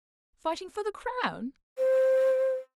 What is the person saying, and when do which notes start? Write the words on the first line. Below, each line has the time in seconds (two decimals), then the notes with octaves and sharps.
'Fighting for the crown?'
1.78 C5